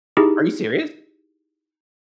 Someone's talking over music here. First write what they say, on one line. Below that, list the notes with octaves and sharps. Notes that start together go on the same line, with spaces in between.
Are you serious?
D#4 E4 G4 G#4